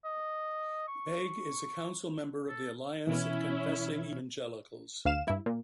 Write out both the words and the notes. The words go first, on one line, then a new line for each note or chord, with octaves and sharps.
Begg is a Council member of the Alliance of Confessing Evangelicals.
D#5
C#6
A4
B2 E3 C#4 E4 E5
D2 F5 E7
G2 E4
A#2